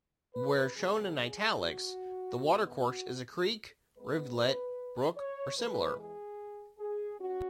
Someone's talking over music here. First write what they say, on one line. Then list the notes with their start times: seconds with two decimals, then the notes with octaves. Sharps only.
Where shown in "italics", the watercourse is a creek, rivulet, brook, or similar.
0.34 B4
0.75 C#3 F#3 B3 G#4
1.15 G#4
1.56 F#4
2.36 B2 B3
2.77 F#4
3.97 G#2 G#3 B3 B4
5.17 C#5
5.58 E2 E3 G#3 B4
5.99 G#4
6.79 G#4
7.20 C#4 F#4